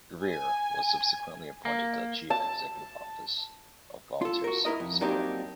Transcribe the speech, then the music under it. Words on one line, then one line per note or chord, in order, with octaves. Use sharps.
Greer was subsequently appointed the chief executive office of Volunteer Service Abroad.
G#5
A#3
A5
F4 A4
F#4 A#4
E4 A#4 D#5
F2
F#3 A#3 C4 D4 D#4 G4